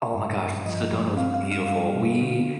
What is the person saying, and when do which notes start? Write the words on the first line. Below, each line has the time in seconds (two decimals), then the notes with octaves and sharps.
Oh my gosh, Sedona was beautiful, we
0.14 G2
0.40 G2
0.66 F3 D#5
0.92 G2
1.17 C4 F5
1.34 F5
1.43 G3
1.51 F5
1.69 G3 F5
1.95 B2
2.20 D3